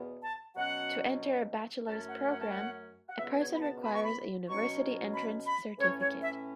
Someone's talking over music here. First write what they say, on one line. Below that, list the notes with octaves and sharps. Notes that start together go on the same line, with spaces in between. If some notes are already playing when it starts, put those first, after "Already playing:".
To enter a Bachelor's program, a person requires a University entrance certificate.
Already playing: E2 B2 B3
A5
B2 F#3 C#4 F#5
F#2 F#3 A3 C#4 A5
F#5
F#5
A5
F#5
F#5
C#2 B2 B3 E5
C#5
B5
A5
B5
C#6
B5
B2 F#3 C#4 C#6
B5
B5
A2 E3 C#4 C#5
C#5
E5